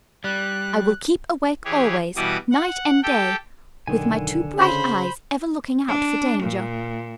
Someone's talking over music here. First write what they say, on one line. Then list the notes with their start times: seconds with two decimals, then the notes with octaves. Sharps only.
I will keep awake always, night and day, with my two bright eyes ever looking out for danger.
0.24 G3 F#6
1.65 E3 G4 G#4 C#5
2.16 B2 E3 G3 F#4 D6 D#6
2.51 F#5
3.03 G4 A4 G5
3.87 B1 D3 D#3 G#5
4.58 C#3 C5 B5
5.90 D4
6.42 A#2